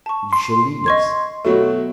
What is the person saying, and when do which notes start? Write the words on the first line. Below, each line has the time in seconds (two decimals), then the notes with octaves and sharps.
You shall lead us.
0.06 A5 C#6
0.33 C6
0.86 D#5 C#6 G#6
1.45 B2 F#3 A3